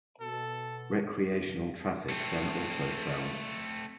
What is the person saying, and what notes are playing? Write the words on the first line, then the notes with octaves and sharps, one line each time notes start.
Recreational traffic then also fell.
B2 A4
A3 C4